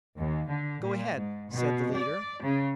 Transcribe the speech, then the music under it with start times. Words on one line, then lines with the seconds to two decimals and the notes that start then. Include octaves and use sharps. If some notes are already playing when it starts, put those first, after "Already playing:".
"Go ahead," said the leader.
0.17 D#2
0.47 D3
0.82 A#2
1.15 G#2
1.50 B2
1.93 D5
2.42 C#3